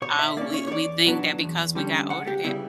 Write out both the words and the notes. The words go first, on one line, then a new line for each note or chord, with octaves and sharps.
uh, we we think that because we got older that
B2 C#5
E5
A#3 C#4 D5
C#5
C#5
E2 D5
B2 F#3 B3 D4
E2
D3 G3 C#4
C#2 F#5
G4
C#3 E3 G3 B3 E4